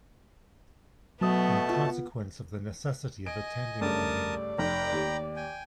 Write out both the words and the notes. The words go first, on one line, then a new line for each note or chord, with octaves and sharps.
In consequence of the necessity of attending on him.
B2 F#3 A3 B3 A5 D#6
F4
D#5 G#5 D7
G2 C#3 A3 A#4 D5 A5 D#6
F1 G5 A#5 B5
D#2 G4
G5 G#5